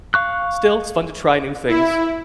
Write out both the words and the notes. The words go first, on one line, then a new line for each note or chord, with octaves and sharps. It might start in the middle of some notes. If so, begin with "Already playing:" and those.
still, it's fun to try new things.
F5 C#6 F#6
E4